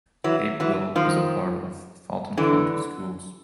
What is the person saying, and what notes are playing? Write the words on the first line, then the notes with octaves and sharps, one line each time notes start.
Hapeville is a part of Fulton County Schools.
E3 F#3
E3 F#3
D#3 F3
D3 E3